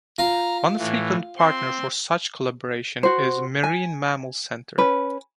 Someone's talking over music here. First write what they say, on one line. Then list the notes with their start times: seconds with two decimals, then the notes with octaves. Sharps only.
One frequent partner for such collaboration is the Marine Mammal Center.
0.18 F4 A#5
0.78 A2 E3
1.38 C4 C6
3.03 F#4 C5
3.63 G#5
4.78 C#4 B4